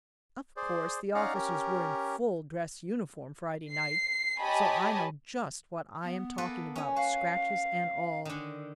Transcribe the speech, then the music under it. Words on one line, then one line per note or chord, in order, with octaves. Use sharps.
Of course the officers were in full-dress uniform Friday night, so I know just what I am talking about, scratches and all.
G#4 C5 D5
C#4 D#4 D5 F5 F#5 A#5
C#4 G4 A#4
C7
G4 C#5 D#5 G#5 A5 B5
B3
A#3 A4 B4
C#4 G#5
F#4 F5
D3 D#3